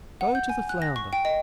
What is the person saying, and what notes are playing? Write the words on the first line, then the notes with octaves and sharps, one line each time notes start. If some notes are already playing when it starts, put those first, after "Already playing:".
Go to the flounder.
F#5
G6
G#5
F#6
A#6
C#6
G5
D#5